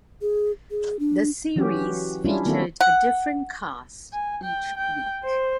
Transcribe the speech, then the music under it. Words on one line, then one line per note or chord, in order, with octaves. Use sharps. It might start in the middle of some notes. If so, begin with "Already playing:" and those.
The series featured a different cast each week.
G#4
G#4
D4
E3 F#3 C#4 F#4 G4
G3 C#4 D4 E4 F4
D#3 A#3 C4 E4 F#4 A4
F#5
G#5
G5
G5
C5